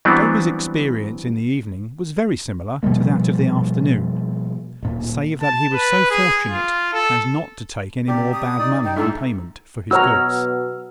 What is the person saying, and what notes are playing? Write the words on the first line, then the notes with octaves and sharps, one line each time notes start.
Toby's experience in the evening was very similar to that of the afternoon, save that he was so fortunate as not to take any more bad money in payment for his goods.
E3 F#3 G3 B3 C4 D4
B2 F3 G3 A#3
D1 A#2
A5
B4
G#4
F4
A4
C3 G4 D5
D#6
D#4 D5
D#4 G5
G#2 E4 A4
B2 F#3 F#4 C#5 A#5 E6 F6